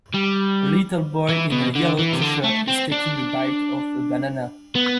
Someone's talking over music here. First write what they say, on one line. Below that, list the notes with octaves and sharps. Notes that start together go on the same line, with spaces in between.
A little boy in a yellow teeshirt is taking a bite of a banana.
G3
E3
B2
D3
E3
C3
D3
A3
C4
D4
B3